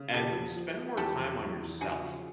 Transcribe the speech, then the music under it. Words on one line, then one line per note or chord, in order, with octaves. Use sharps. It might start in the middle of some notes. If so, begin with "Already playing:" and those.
and spend more time on yourself.
Already playing: C#3
E2 G4 A4
F3
F3
F3
E2 G4 A4
F3
E2
E2
C#3 F#4 G#4
F3